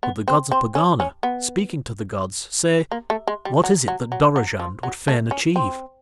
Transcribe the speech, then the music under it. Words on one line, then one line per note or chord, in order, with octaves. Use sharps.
But the gods of Pegana, speaking to the gods, say: "What is it that Dorozhand would fain achieve?"
B3
C4
C4
C#4
C#4
B3
A#3
A3
G#3
G3
F#3
F#3
F#3
F#3
F3
F#3
A3
C#4
C4